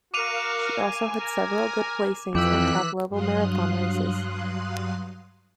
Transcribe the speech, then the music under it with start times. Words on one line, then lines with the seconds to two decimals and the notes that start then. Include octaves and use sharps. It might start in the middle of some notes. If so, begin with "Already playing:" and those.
She also had several good placings in top level marathon races.
0.14 F#4 A#4 F5 D6 D#7 F7
0.78 G#5
1.20 A#4
2.35 F2 E3 G5 D6 E6 F#6 B6
3.09 G2 F#3 F5 C6 D#6 F#6